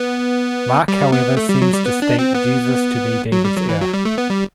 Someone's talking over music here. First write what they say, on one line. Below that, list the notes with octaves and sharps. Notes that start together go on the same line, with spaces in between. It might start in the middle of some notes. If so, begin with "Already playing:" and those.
Mark however seems to state Jesus to be David's heir.
Already playing: B3
G3
B3
A3
G3
F#3
G3
B3
D4
C4
B3
F#3
G3
F#3
E3
F#3
G3
A3
B3
G3